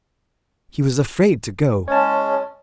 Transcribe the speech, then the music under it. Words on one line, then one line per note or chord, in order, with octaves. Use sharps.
He was afraid to go.
G#3 C#4 C#5 A5